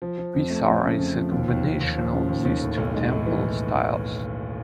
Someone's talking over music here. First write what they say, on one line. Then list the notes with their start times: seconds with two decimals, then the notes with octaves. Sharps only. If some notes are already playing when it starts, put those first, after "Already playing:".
Vesara is a combination of these two temple styles.
0.02 F3
0.18 F3
0.34 F2
0.50 A3
0.67 F2
0.83 C#3
0.99 F2
1.15 F3
1.31 D#2
1.48 D#2
1.64 D#2
1.81 D#2
1.96 F3
2.12 C#3
2.29 D#2
2.45 D#2
2.62 A2
2.78 B1
2.94 G#3
3.10 A2
3.26 E3
3.42 E3